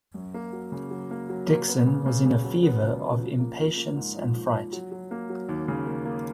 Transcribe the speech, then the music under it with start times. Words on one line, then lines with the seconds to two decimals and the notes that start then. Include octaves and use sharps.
Dickson was in a fever of impatience and fright.
0.14 F#2
0.34 A#3
0.53 F#3
0.72 C#3
0.91 F#3
1.11 A#3
1.29 F#3
1.48 A#3
1.68 B3
1.86 C#3
2.06 C#3
2.25 C#3
2.44 F#3
2.63 B3
2.82 C#2
3.01 C#3
3.20 F3
3.39 A#3
3.58 F3
3.77 A#3
3.96 G#2
4.16 F3
4.35 F3
4.54 F3
4.73 F#3
4.92 F#3
5.11 A#3
5.30 F#3
5.49 D#2
5.68 C#3
5.87 A#3
6.05 A#3